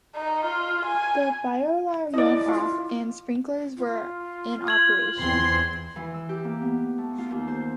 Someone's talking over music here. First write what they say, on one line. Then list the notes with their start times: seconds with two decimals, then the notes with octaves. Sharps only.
The fire alarm went off and sprinklers were in operation.
0.15 D#4
0.45 F4
0.85 G#5
2.14 E4 D5 D#5
2.48 F4
3.77 F4
4.68 G#6 F#7
5.19 E2 C4 C6
5.96 E3
6.14 E6
6.29 G4
6.44 A#3
6.61 B3
6.98 A3
7.18 F4
7.31 D#2
7.48 C5